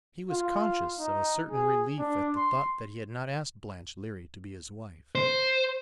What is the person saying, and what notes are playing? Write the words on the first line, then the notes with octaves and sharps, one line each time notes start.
He was conscious of a certain relief at the thought that he had not asked Blanche Leary to be his wife.
F4
D#4
G#4
D4
C6
C5